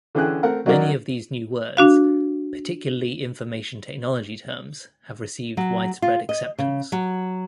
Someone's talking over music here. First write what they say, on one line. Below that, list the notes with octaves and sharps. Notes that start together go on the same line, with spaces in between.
Many of these new words, particularly information technology terms, have received widespread acceptance.
D3 E3 C#4 G#4 G5 F#6
A3 C4 A#4 F#5
F#3 C#4 D#4 F#4 A#4 D5
D4 F#4 F5
F#3
F4
D#5
C#3
F#3